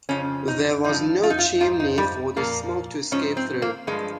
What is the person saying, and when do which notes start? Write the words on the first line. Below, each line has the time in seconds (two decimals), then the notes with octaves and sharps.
There was no chimney for the smoke to escape through.
0.09 F2 C#3 F3 C#4
0.48 D#4
0.84 G2 F3 D#4
1.23 F4
1.30 D#4
1.39 F4
1.60 G#2 F3 F4
1.80 D#4
1.98 G3
2.36 A#2 F3 A#3
3.12 G#2 F3 C#4
3.37 C4
3.62 A#3
3.87 G2 F3 G#3